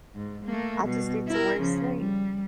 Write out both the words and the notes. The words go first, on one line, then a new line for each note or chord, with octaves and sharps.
I just need somewhere to sleep.
G#2
A3 A#3
B2 G3
E4 A#4
C#3 F3
G3